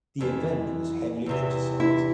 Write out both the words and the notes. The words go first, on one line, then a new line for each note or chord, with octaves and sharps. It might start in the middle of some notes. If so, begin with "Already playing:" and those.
The event was heavily criticized.
F2 E3
E2 C3 E3
E4